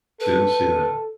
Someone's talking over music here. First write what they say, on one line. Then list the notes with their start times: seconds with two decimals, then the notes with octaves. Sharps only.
Didn't see that.
0.20 A4 B4